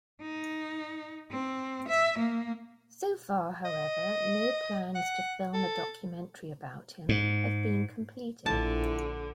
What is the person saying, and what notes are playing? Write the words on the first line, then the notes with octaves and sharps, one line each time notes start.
So far, however, no plans to film a documentary about him have been completed.
D#4
C4
E5
A#3
D#5
F#5
A4
G#2
A#1 D3 E4 A5